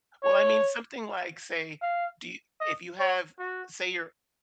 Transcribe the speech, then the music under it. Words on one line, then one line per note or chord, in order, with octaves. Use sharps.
Well, I mean something like, say, do y if you have say you're
C#5
F5
D#5
C#5
F#4